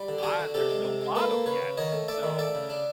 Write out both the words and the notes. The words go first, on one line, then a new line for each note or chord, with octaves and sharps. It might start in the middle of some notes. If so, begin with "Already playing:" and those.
ah, there's no bottom yet, so,
Already playing: G3
D3
G4
D3 F#4 G#4
D3
C3 G4 A4
G#3
C3
G#3
A#3 A4 B4
A#3
C#3 B4 C#5
C#3
D#3 C#5 D#5
A3
A3 D5 E5
D#3
A3 D5 E5
C#3
D4